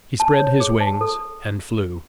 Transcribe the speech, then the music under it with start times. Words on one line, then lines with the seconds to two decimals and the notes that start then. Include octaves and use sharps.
He spread his wings and flew.
0.20 A5
0.40 C#5
0.60 G#4
0.81 A5
1.01 A4